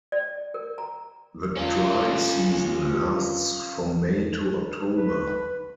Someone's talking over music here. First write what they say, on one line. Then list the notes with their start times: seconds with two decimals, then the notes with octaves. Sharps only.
The dry season lasts from May to October.
0.12 D5
0.54 A#4
0.78 A#5
1.57 C#4 F4
4.96 B4